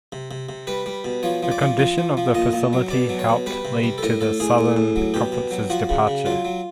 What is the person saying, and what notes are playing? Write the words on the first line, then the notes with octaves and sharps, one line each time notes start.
The condition of the facility helped lead to the Southern Conference's departure.
C3
C3
C3
G3 B4
G3
B2
F3 C#5
F3
D5
F3
F3
F3
F3
A#2 D#5
A#2
F#3
B2 D5
F#3
C#5
B2
G3 B4
C3
G3
A4
A2 A#4
A2 A4
A2 G#4
A2
A2
F#3
B2 G4
B2
F#3
F3 F#4
C#3
C#3
F#3 F4
F#3